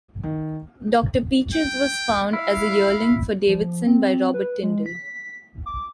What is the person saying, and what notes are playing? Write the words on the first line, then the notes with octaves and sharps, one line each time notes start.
Doctor Peaches was found as a yearling for Davidson by Robert Tindle.
D#3
G5
E4 F5
F3
C4
B4
G#3
B6
D6